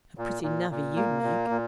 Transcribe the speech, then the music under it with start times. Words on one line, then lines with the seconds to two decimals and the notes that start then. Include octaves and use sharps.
'A pretty navvy you'd make!
0.18 A#2
0.43 A#2
0.70 A#2
0.96 A#3
1.23 A#2
1.50 A#2